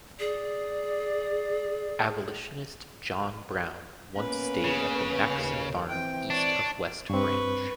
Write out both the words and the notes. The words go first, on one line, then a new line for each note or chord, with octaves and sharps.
Abolitionist John Brown once stayed at the Maxson farm east of West Branch.
G#4 D5
A#3 B3 C#4 B4
C#3
D#2
E3 C4 G5
D4 C#5 D5
G2 C4 B4 C#6